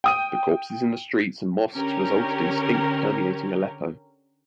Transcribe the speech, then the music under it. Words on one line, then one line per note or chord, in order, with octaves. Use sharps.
The corpses in the streets and mosques resulted in stink permeating Aleppo.
G5 D#6 D#7
D3 C#4 G4 A#4